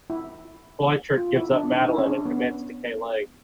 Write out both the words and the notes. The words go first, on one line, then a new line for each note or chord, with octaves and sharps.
Bleichert gives up Madeleine and commits to Kay Lake.
E4
F4
E4
D4
D#4
E4
C#4
D4
B3